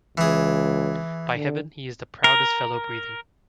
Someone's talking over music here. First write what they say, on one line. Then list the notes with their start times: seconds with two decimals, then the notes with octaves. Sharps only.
By heaven, he is the proudest fellow breathing.
0.17 C#2 E3 G#4
1.34 D3
2.24 A#4